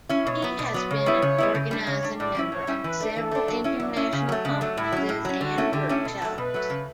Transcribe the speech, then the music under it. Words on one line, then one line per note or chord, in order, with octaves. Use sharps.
He has been an organizing member of several international conferences and workshops.
C#4 E4
B2 C#5
F#3 B3
B2 D5
F#3 B3
C#3 C#5
G3 B3 E4
C#3
G3 B3 E4
C#3
G3 D4
C#3 C#5
G3 D4
A2 D5
G3 C#4 E4
A2 C#5
G3 C#4 E4
E3 B4
A3 D4
E3 A4
A3 D4
F#3
C#4 E4
F#3 D4
C#4 E4
C#3 C#4
F#3 A3
C#3 D4
F#3 A3
A2 E4
F#3 C#4
A2 E4
F#3 C#4
D3 F#4
A3 C#4 E4
D3 G4
A3 C#4 E4
B2 A4
F#3 A3
B2 B4
F#3 A3
C#3